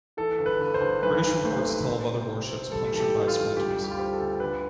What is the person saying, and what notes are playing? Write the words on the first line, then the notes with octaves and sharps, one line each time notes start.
British reports tell of other warships punctured by splinters.
E3 A4
G1
B4
G1
C5
G1
B1 B4
B1
A3 C5
C4
C4
C3
C4
C4
G3 A4
E3 A4
G4
E3
F4
G2
D2 G4
G3
G4
F4
C4 G4
A4
D2
D3 B4